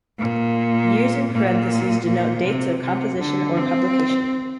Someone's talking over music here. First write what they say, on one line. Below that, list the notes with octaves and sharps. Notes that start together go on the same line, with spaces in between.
Years in parentheses denote dates of composition or publication.
A#2
A#2
A#2
C3
C3
D3
C4